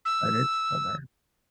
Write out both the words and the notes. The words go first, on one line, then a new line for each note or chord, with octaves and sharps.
but it's still there.
E6